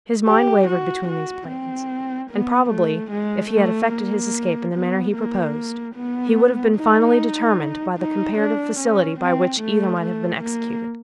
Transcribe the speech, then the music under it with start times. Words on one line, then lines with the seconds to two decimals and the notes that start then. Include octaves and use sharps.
His mind wavered between these plans, and probably, if he had effected his escape in the manner he proposed, he would have been finally determined by the comparative facility by which either might have been executed.
0.27 G4
0.68 F#4
1.08 F#4
1.48 C4
2.30 B3
2.71 A3
3.11 G#3
3.51 A3
3.92 A#3
4.74 B3
5.14 A#3
5.95 B3
6.76 D#4
7.98 D#4
8.39 D4
8.79 C#4
9.20 C4
9.61 A3
10.01 A3
10.41 A#3